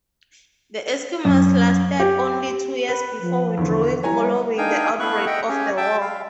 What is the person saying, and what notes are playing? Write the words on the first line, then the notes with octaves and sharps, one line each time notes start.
The Eskimos lasted only two years before withdrawing following the outbreak of the war.
F#2
G4
B4
F3
E2 D3
G3 E4 C#5 G#5 A#5
D4 D#4 F5 G5 G#5
A3 B3 E4 F5 C#6 F#6
D#5 E5 F#5 G5
C#4 G4 G#4
E5 G5 A5
F5